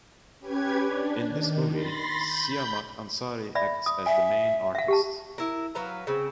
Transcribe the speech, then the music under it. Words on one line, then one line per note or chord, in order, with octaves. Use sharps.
In this movie, Siamak Ansari acts as the main artist.
C#4 G4 B4 G#6
D4
D#3
B5 C6 A6 A#6
B5 G6
D5 E5 B5
D#6
E5 G#5
E5 F5
G4 F5 A5
E4 A#4
F#3 B4 F5 A#5
C#3 C4